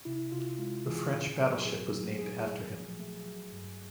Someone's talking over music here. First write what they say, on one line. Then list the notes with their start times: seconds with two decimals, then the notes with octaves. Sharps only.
A French battleship was named after him.
0.05 C3 E4
0.32 C3 F4
0.58 G#3 F4
0.86 E3 G#4
1.13 A#2
1.39 F#3
1.65 A#2 G#4
1.92 F#3
2.18 A3 G#4
2.46 A3
2.72 F3
2.99 A3
3.26 F#3
3.52 G2